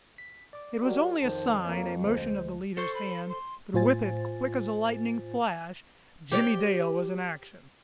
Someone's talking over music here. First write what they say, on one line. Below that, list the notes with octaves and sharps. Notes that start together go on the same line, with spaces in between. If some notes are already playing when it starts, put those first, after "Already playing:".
It was only a sign, a motion of the leader's hand--but with it, quick as a lightning flash, Jimmie Dale was in action.
B6
D5 D6
F#3 F#4 G4 A#4 D5
F2 D#3 C5 A5
A#3 C#5
D2 G#3 C5
A4 C5 C#6
B5
C6
A2 F4 C5 G#5 A6
G4 C#5 D5